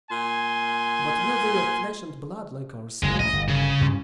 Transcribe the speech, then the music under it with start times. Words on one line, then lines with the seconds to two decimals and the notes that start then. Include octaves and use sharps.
But were they of flesh and blood, like ourselves?
0.10 A#2 G#5 C6
3.03 F#1 G#3
3.20 A1 D#5
3.33 G1
3.48 C#3
3.81 G2 C#4